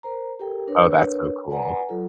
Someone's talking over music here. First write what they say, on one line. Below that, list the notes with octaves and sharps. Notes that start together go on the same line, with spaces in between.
Oh, that's so cool.
A#4 C5 A#5
G4 A4 A#4 G5
D4 A#4 B4 C#5
B4 D5 F#5 G#5 A#5
F#3 F4 A4